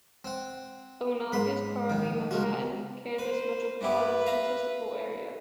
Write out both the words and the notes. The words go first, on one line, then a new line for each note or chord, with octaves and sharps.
Onaga is part of the Manhattan, Kansas Metropolitan Statistical Area.
C4 F#5
G#2 B5 C6
A#1 D#3
C#2 G#3 F4 F#4
B4 C5
G2 E4 G4 B4
E5 F5 A#5